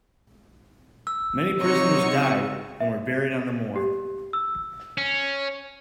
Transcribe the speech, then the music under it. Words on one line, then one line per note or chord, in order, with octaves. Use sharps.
Many prisoners died and were buried on the moor.
E6
C3 F#3 D#4 F#4 C#5 C#6
C#3
E5
G4
E6
C#4